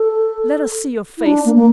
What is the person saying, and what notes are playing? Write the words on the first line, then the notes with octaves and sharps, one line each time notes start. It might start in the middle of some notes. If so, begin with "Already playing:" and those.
Let us see your face!
Already playing: A4
E4
D4
A#3
A#3